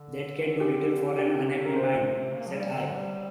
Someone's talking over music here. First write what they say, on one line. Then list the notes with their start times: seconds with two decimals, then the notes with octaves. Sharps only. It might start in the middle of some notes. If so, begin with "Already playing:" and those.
"That can do little for an unhappy mind," said I.
Already playing: D3
0.60 G4
1.18 C3 G4
1.31 D3
1.45 C3
1.58 D3
1.65 A#4
1.71 C3 C5
1.85 D3
1.98 C3
2.34 A#3
2.47 F3
2.53 G3
2.73 D3
2.91 G3